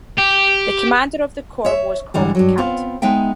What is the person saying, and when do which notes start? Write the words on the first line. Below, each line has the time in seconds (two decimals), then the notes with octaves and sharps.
The commander of the corps was called the Captain.
0.18 G4
1.65 C#5 E5
2.14 G#2 D3 E3 G3
2.35 G2 F#3
2.58 B3 C4 F4
3.02 G#3 B3 D#4 E5 G5